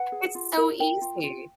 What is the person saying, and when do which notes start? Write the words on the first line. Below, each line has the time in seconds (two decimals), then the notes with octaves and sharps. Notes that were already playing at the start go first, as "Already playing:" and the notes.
it's so easy.
Already playing: B4 F#5
0.12 G#4
0.35 F4
0.57 A#4
0.79 A#4 G5
1.02 F4
1.24 F4